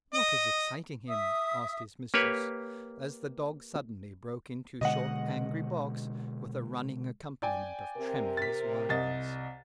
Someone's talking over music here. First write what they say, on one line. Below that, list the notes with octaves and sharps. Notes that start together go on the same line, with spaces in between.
"What is exciting him?" asked his mistress, as the dog suddenly broke into short angry barks, with a running accompaniment of tremulous whines.
D#5
E5 D#6
A#3 G4 B4 C#5
B2 D3 G#3 D#5 F#5
D5 G5 G#5
C3 A#4
A6 B6
C2 D#5 A6